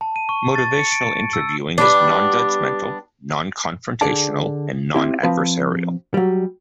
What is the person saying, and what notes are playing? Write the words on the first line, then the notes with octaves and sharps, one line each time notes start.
Motivational interviewing is non-judgmental, non-confrontational and non-adversarial.
A5
D#7
C#6
A6
C#7
D7
E6
G3 B3 D4
D3 G#4 D5 A5
C4 E4 G4
F3 C4 B4
F#3 G3